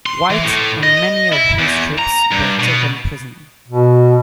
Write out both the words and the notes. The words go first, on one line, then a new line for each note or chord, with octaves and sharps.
White and many of his troops were taken prisoner.
C6
E3
A2
D#5
E4
E2
A#5
G2
B2
B2